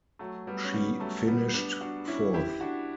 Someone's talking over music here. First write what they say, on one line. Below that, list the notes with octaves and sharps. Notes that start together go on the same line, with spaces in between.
She finished fourth.
F#3 A3
G3 B3
C#4
G3 B3
F#3 A3
G3 B3
B3 D4
D4 F#4
C#4 E4
E4 G4
D4 F#4